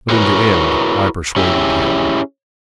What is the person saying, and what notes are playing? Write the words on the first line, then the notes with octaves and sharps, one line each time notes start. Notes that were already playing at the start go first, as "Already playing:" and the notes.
But in the end I persuaded him.
E4 F#4 G#4 A#4 B4 C#5
C#4 E4 G4 G#4